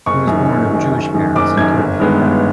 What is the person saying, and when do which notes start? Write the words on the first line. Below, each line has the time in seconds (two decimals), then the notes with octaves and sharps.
He was born of Jewish parents in Copenhagen.
0.06 F#1 C#6
0.27 F#2 D#3
0.49 F#1
0.71 F#2 D#3
0.92 F#1
1.14 F#2 D#3
1.35 F#1 D6
1.57 F#2 D#3 G#6
1.78 G1
1.99 G2 D#3 G#3 B3
2.22 G1